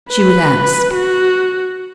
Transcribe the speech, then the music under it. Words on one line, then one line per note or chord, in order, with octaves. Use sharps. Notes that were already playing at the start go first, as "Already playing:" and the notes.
She would ask.
B4
F#4